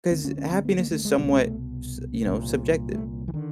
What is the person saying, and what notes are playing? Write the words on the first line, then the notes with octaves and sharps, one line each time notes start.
'cause happiness is somewhat, s you know, subjective
D2 D3 C4
C#4
C#4
C4
B3
A#3
A3
G#3
C2 B2 G3 A3
G#3
A3
C2 A#2
A3
E3
D3 D#3